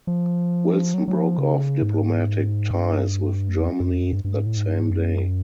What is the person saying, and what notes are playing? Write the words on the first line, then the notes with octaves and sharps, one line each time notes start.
Wilson broke off diplomatic ties with Germany that same day.
F3
F#3
F#3
F3
C#3
G#2
G2
F#2
F2
F#2
F2
F#2
G2
G2
G#2
A2
G#2
G2
G#2
F#2